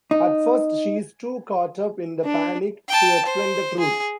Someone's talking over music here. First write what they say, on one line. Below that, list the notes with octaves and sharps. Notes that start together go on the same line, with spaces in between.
At first she is too caught up in the panic to explain the truth.
D#4
D4
G5 A5
C5
G#4